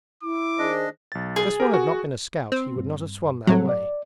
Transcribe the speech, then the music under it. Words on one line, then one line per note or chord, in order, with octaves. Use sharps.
If this one had not been a scout he would not have swum that way.
E4 D6
D#3 D4 G#4 C5 D#5
B1 A6
G#4
G4 A#4
F#4
C4
G2
A2 F#3 G3 C4 A4
D5